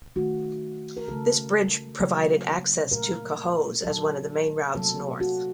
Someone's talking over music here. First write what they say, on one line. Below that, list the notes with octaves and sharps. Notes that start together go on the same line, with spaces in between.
This bridge provided access to Cohoes as one of the main routes north.
D#3 A3 F#4
A#4
C#3 A3 A4
C#3 F#3 A#3
A#2 A3 A#4
A#2 F#3 A#3 A4
C3 F#3 A#3 A4
F#4